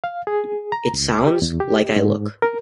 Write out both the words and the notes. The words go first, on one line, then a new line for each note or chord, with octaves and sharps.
It sounds like I look.
F5
G#4
A#5
C#2
G4
E2
G4
G#2
A#4